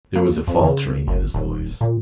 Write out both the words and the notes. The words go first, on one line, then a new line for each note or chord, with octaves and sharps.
There was a faltering in his voice.
A#3
F2
C#3
F#1
D#1
A#2